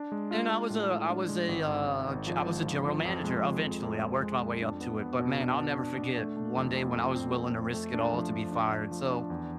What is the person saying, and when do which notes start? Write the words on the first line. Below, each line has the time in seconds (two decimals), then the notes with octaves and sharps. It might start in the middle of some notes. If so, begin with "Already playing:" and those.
And I was a I was a, uh, g I was a general manager eventually. I worked my way up to it. But, man, I'll never forget one day when I was willing to risk it all to be fired. So,
Already playing: D4
0.12 G#3
0.31 F4
0.51 F4
0.70 A2
0.90 A2
1.10 D4
1.29 G#3
1.49 G#1
1.68 G#2
1.88 G#2
2.07 G#1
2.27 F3
2.46 G#2
2.66 F3
2.85 F3
3.05 F2
3.24 G#3
3.44 F2
3.63 F2
3.83 F2
4.03 G#3
4.22 G#3
4.42 F2
4.62 D4
4.81 B3
5.00 B3
5.19 B2
5.39 D4
5.59 D4
5.78 D4
5.98 D4
6.18 A3
6.37 A3
6.57 F2
6.76 F2
6.96 F2
7.15 C4
7.35 F2
7.54 F2
7.74 A3
7.94 D4
8.13 F3
8.32 D4
8.52 D4
8.71 D4
8.91 F3
9.10 D4
9.30 E2